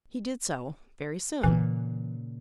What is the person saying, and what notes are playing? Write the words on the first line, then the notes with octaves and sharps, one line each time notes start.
He did so, very soon.
A#2 C#3 E3